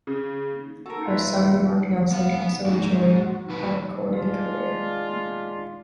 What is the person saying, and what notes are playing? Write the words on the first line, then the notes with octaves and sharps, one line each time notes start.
Her son Marc Nelson also enjoyed a recording career.
C#3
F#4 A4 A#4
F4 B4 E5
B3 F5 F#5
G#2 G#3 F#4
E2 A#2 B4
G#3 D4 F4